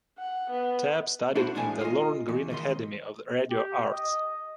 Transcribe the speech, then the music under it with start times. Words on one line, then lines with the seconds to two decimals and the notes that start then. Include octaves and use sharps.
Tapp studied at the Lorne Greene Academy of Radio Arts.
0.18 F#5
0.50 B3
1.35 D4 E4 F#4 C5
1.55 E2 A2 G#3 D4 F5 G#5
1.81 F4 D#5
2.28 E2
2.50 G#2 D#3 D#5 C6
3.50 G4
3.90 D#5